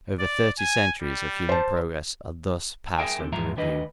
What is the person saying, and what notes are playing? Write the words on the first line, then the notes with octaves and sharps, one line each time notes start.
Over thirty centuries of human progress are thus passed under review.
D5
G#5
G3
C5 A5
G#4 A#4 E5 G5 G#5
D3 C4 G4
G#2 E3 F3 F4 E5 A#5
D2 D#3 D4 B4 D#5